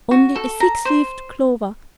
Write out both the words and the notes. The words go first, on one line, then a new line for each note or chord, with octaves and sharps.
Only a six-leaved clover!
F#4
A4
A#5
C5